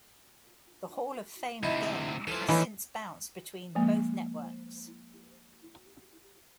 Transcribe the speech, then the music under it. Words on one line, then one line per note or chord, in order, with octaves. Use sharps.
The Hall of Fame Game has since bounced between both networks.
D2 C3 D#4 E4
E3 F3 A4 C5
D#2 E3 F3 A3 C#4 D#4 E4 B4
F3 G#3 A#3